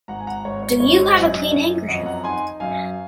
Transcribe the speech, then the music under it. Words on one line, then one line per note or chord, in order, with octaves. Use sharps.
Do you have a clean handkerchief?
G#1 F#5 A#5
G#5
F#5 A#5
G#1 C#5
C#5
G#1 C#5
C5 D#5
F#2 D#5 F#5
F#2
F2 D#5 F#5
F#5 A#5
D#4 G#5 C6
F#2 F5 G#5